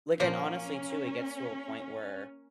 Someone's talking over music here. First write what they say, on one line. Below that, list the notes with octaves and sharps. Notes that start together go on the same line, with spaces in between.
like, and, honestly, too, it gets to a point where
A#2 F3 A#3 C#4 C5